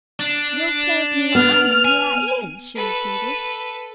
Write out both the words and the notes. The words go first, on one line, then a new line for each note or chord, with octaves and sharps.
"Yo' tells me to come, an' here I is," she repeated.
D4
B3 F6
G#5
A4 B4